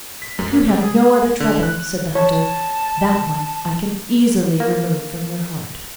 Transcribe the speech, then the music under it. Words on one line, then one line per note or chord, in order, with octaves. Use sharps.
'If you have no other trouble,' said the Hunter, 'that one I can easily remove from your heart.'
B6
F#2
A#3
C3
G#4
D3
F#6
C#5 A5
A#3